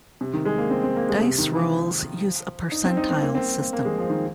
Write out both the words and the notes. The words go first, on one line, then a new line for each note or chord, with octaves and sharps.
Dice rolls use a percentile system.
C3
D#3
G#3
A#3
C4
C4
A#3
G#3
C3
D#3
F3
D#4
C4
D#4
C4
A#3
C4
A#3
A#3
G#3
F3
D#3